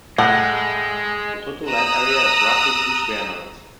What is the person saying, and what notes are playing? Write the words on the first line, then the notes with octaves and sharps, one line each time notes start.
The total land area is roughly two square miles.
A2 G#3 F#5
A#5 D#6 E6 F#6